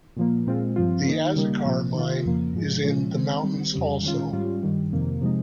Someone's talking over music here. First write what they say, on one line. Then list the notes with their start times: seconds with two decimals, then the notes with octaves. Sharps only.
The Azucar Mine is in the mountains also.
0.17 A#2 F3 A#3
0.47 A#2 G#3 C4 F4
0.76 G2 F3 C4 F4
1.06 D#3 A#3 D#4
1.36 C#3 G3 A#3 D#4
1.65 A#2 F3 C4
1.95 D#3 A#3 F4
2.25 F2 C#3 F3 A#3
2.54 G#2 F3 G#3
2.84 A#2 F3 G#3 C#4
3.14 D#3 G#3 C4
3.43 D#3 G3 C4
3.73 F2 C#3 G3
4.03 D#3 G#3 C#4 F4
4.33 G#2 G3 C#4 F4
4.63 G2 D#3 G3
4.92 F2 C3 D#3 A#3
5.21 C3 F3 G#3 D#4